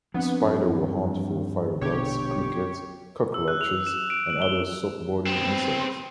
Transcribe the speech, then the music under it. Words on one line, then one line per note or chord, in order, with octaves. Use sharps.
The spider will hunt for firebrats, crickets, cockroaches, and other soft-bodied insects.
F3 B3 C4 D4
G2
A#1 B2 D3 G4 C#5
E6
F#6
F7
E7
D7
F#7
G7
B3 C4